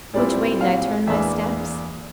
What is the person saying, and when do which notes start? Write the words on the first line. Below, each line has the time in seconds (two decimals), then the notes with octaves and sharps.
Which way did I turn my steps?
0.14 A#2 G3 C4 E4 D5
0.61 F5
1.07 E2 E3 A#3 D4 E5